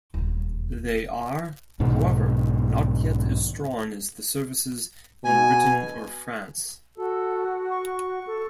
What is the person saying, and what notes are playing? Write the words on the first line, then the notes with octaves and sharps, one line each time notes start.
They are, however, not yet as strong as the services in Britain or France.
D#1 E2
B1 G#2 B2 D#3
B2 G#5
F#4 A4
C#6
A4